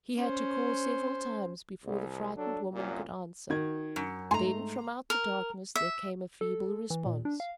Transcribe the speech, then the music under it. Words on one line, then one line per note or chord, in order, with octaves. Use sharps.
He had to call several times before the frightened woman could answer. Then from out the darkness there came a feeble response.
C#4 C5
C2
F#3 D4 A4
C2 F#2 A#2
D#3 F#4 G#6
F#2
G#2 A3 G#5 A#5 C6
A#4
E5
A4
E3
A#2
D4
F5